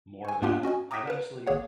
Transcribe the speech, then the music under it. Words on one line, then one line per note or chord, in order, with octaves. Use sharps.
more of that. I'm actually
G#5 C#6
G#2 A#3 B3 D4 F4 G4
C#4 F#4 D#5 G#5
A#5 D6 D#6 G#6 A#6 B6
A#4 B4
G#1 A#3 G#4 C#5 F#5